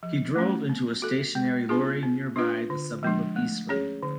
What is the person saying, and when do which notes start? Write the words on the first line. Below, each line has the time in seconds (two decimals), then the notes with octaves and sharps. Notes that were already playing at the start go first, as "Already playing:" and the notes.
He drove into a stationary lorry nearby the suburb of Eastlea.
0.03 F3
0.36 A3 C#4
0.70 B3
1.02 F#4 A4
1.35 G#3
1.69 B3 D4 F4 G#4
2.03 B3
2.36 D4 F4 B4
2.70 D3
3.03 F3 G#3 D4
3.36 A3
3.69 C#4 G#4 C#5
4.03 D3